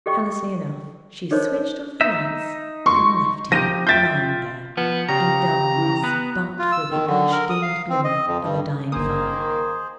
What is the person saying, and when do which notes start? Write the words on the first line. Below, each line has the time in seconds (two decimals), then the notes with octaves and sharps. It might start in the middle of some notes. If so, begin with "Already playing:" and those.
Callously enough she switched off the lights and left him lying there, in darkness but for the ash-dimmed glimmer of a dying fire.
0.06 G4 A4 D#5 G5 C#6
1.31 D#4 A4 A#4 C5 C#5 D#5
2.01 D#4 E5
2.86 C6 C#6
3.52 F3 D#4 G4 A#6 D#7
3.87 F4 E5 G5 G6 A6
4.77 F3 B3
5.09 C#3 G4 A#5 A#6
5.78 E3
6.03 B3 F#6
6.59 F4
6.72 E6
6.91 D#3
7.07 D3
7.32 A#4
7.50 D#6
7.62 F5
7.90 C4
8.04 D#5
8.27 F2
8.42 G2
8.92 G1 D#3 A#3 G#4 C5 D#6